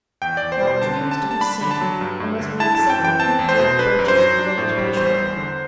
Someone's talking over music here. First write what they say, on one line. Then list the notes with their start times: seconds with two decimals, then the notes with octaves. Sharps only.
Not a tree was to be seen, unless we except a few dwarf birches as low as brushwood.
0.22 E2 G5
0.37 E2 D5
0.52 C5
0.62 B2
0.67 C5
0.82 D3 A5
1.01 D3
1.11 A5
1.22 G3
1.31 A5
1.41 D4 B5
1.61 D3
1.71 A5
1.81 F#3
2.01 G2
2.20 G2
2.40 D3
2.60 E4 A5
2.75 F#2 A5
2.90 G5
2.99 E3
3.05 G5
3.20 C4 A5
3.39 E2
3.49 C5
3.59 B2
3.79 D4 B4
3.99 F#2
4.08 C5
4.18 F#3
4.39 D4
4.58 A2
4.77 G3
4.97 E2 C5
5.17 E2
5.37 D3